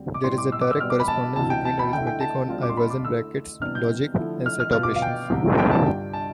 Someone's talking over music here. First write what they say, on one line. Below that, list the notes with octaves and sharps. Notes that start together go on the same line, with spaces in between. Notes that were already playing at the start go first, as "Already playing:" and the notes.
There is a direct correspondence between arithmetic on Iverson brackets, logic, and set operations.
Already playing: D2 D3 G3 C4
D6
A2 G3 C4 C6
D6
E6
D6
E6
B2 G3 B3 F6
D6
B5
A5
D2 C3 E3 A5
G5
A5
B5
D3 A3 E4 G5
G5
A5
D2 D3 G3 C4 F4
D6
C6
B5
D6
D3 A3 E4 E6
C3 E3 G3 B3 D4 F6
G6
D3 F3 A3 E4
F6
F6
B2 B3 F4 F6
D6
F5
G5
C2 C3 E3
G5
A5
G2 D3 G3 D4 F4 G5
A5